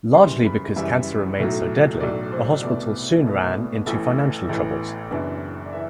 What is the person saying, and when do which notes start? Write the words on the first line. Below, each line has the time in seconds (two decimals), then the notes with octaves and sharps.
Largely because cancer remained so deadly, the hospital soon ran into financial troubles.
0.13 F#1 F#2 E3 G3 C6
0.45 B5
0.76 F#1 F#2 E3 G3 E5
1.39 B1 A2 F#3
2.00 B1 A2 F#3 D5
2.32 C5
2.62 C2 B2 A3 D5
3.25 C2 B2 A3
3.86 A1 A2 E3
4.49 A1 A2 E3
5.11 F#1 F#2 E3 B3 D4
5.65 D5
5.73 E3 E5